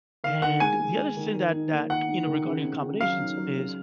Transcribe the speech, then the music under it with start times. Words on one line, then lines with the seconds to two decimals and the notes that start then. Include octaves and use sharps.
and the other thing that that, you know, regarding accommodations is,
0.24 D#3 F5
0.42 D#3 F#5
0.60 G#3 G#5
0.80 G#3
0.97 G#3
1.17 D#3
1.35 D#3
1.53 D#4
1.72 A#3
1.90 D#3 F#5
2.09 D#4
2.27 D#3
2.45 C#3
2.64 C4
2.82 C#3
3.01 F#3 F5
3.19 D#4
3.37 F#3
3.56 C#3